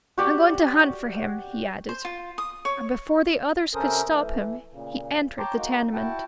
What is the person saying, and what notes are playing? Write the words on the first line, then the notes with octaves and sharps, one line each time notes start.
"I'm going to hunt for him," he added, and before the others could stop him he entered the tenement.
F#4 G4 D5
C5
F4
D#6
C#5
C3 C#4 A4 A#4 C5 D#6
E3 A3
A#2 C#3
C#5 G5 A5 A#5 C6 D6
G#3 A#3 D#4 F#4
E4 F#4 F#5 G5 A5